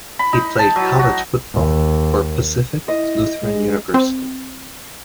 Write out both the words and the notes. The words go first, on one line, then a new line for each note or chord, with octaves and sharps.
He played college football for Pacific Lutheran University.
B5
D#4
A5
F#3
F#4
D#2
E4 D#5
G#3
C4